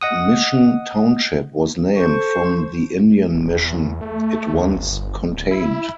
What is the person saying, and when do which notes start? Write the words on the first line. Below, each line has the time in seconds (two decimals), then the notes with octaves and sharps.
Mission Township was named from the Indian mission it once contained.
0.01 D#5 F#5 D#6
1.97 A4 C5 C#6
3.34 D#1
3.56 E2
3.84 E2
4.01 A3
4.54 D#2
4.74 G1
5.30 D1
5.51 E4